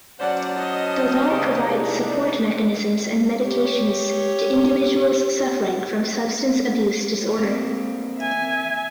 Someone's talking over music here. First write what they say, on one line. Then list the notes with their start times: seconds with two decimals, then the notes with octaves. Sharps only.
The law provides support mechanisms and medications to individuals suffering from substance abuse disorder.
0.20 F#3 C#4 C5 D5 F#5 A5
0.57 D#5
1.29 D#2 C#3 G4 D5 D#5
1.66 A2 C3 G#3 D4 D#4
3.44 G4 C#5
7.38 A#3 C4
8.18 E5 G#5